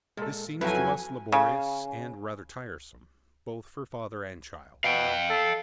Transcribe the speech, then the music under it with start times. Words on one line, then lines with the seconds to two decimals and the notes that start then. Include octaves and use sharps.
This seems to us laborious and rather tiresome, both for father and child.
0.17 A#2 G#3 A4
0.61 F2 F#3 E4 F#4 B4 G#5 F#6
1.32 C#3
4.84 B2 F5 G5
5.30 A4